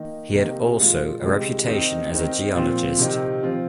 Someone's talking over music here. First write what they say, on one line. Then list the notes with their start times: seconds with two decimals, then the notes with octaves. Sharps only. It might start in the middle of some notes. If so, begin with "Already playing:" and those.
He had also a reputation as a geologist.
Already playing: D#3 A#3 D#4
0.33 C3 D#3 A#3 D#4
0.78 A#2 G#3 F4
1.22 C3 D#3 G#3
1.67 D#3 C4 D#4
2.10 D#3 C4 D#4
2.55 A#2 F3 C4 F4
2.99 C3 D#3 C4
3.43 F3 C4 F4